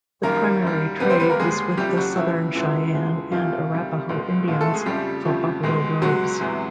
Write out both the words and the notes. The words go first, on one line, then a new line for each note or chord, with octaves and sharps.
The primary trade was with the Southern Cheyenne and Arapaho Indians for buffalo robes.
F#2 D#3 G3 A#3 A#4
F#2 D#3 G3
D#2 D3 G3 B3 B4
C4 C5
B3 B4
A#3 A#4
D#2 D3 G3 G#3 G#4
D#2 C#3 F3 G3 A3 G4
F#3 F#4
D#2 C#3 E3 F3 A3 E4
E2 C#3 E3 F3 G#3 E4
E2 C#3 F3 G#3
D2 C3 D#3 F3 G3 F4
D2 C3 D#3 G3
C#2 B2 G#3
C#2 B2 F3 G#3 F4
A3 A4
G#3 G#4
F2 C#3 F3 G3 A3 G4
F2 C#3 F3 A3
C#2 B2 G#3
C#2 B2 F#3 G#3 F#4
E2 C3 E3 G#3